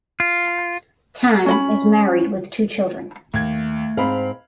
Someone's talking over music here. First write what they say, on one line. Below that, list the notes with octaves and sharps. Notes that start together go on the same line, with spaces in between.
Tan is married with two children.
F4
C#4 D#5 B5
D#2 A3 G#6
G#2 C4 F5 B5